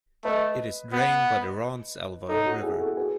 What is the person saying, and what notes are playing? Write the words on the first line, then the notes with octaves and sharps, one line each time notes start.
It is drained by the Randselva river.
A3 B4 D#5
B3
D#4 A4 C#5
F#4
E4 G#4
F#4 A4
G#4 B4